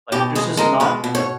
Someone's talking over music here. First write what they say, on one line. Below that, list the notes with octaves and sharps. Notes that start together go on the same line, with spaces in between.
Like there's just not a
B2 G4
G#3 G#4
G#3 A#4
B2 B4
B2
C#5